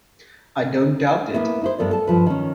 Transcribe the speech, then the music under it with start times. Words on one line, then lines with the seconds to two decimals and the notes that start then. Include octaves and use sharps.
I don't doubt it!
1.34 A#3 B3 E4
1.62 D#4 E4 C5
1.79 G2 B3 A4 A#4 D5
1.91 A4 A5
2.07 G2 F3 B4
2.26 D#3 C#4